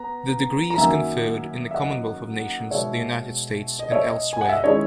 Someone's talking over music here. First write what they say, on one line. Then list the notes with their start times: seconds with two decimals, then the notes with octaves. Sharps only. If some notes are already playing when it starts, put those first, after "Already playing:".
The degree is conferred in the Commonwealth of Nations, the United States and elsewhere.
Already playing: B3 A#5
0.70 A#5
0.78 F#2 D#3 F#3 A#3 E5 G#5
1.71 E5
1.74 D#5 F#5
2.71 B2 G#3 D#4 C#5 E5
3.79 D#5
3.91 C#5 E5
4.04 D#5
4.33 G#5
4.41 F#5
4.49 E5
4.57 D#5
4.64 D#3 G#3 C#4 E4 C#5